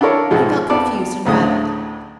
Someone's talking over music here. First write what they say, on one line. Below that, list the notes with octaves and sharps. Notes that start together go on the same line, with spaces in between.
He felt confused and rattled.
D4 E4 A4 A#4 C#5
B1 G#2 F3 G#3
F2 B3 D5 A5
A1 D2 A2 C#3 D#6